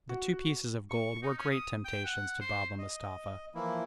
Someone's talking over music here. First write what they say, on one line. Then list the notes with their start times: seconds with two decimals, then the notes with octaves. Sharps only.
The two pieces of gold were great temptations to Baba Mustapha.
0.09 F#4
0.90 C#6
1.22 D#4
1.38 C#4
1.50 D#6
1.85 G5
2.04 F#5
2.41 C5
2.79 D#5
3.55 E3 F3 A#3 E4